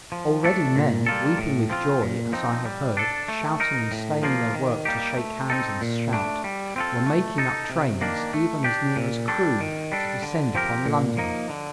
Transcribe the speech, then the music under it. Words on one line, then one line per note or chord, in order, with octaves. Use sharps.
Already men, weeping with joy, as I have heard, shouting and staying their work to shake hands and shout, were making up trains, even as near as Crewe, to descend upon London.
F3
A3 D4 A4
A#2
G3 A#3 F4 A4
A2
F3 C4 F4
A#2
F3 C4 D#4
G3
D4 A4
A3
D#4 A#4
A2
F3 A#3 F4
D#3
G3 A#3 D#4 G4
A3
C4 D#4 A4
A#2
A3 D4
G3
C4 F4 A4
A3
D#4 A4
C3
D#3 A#3 D4
A3
D4 G4
A#2
G3 D4 A4
D#3
G3 D4 A4
D3
F3 C4 G4 A#4
A#2
F3 A#3 D#4
D3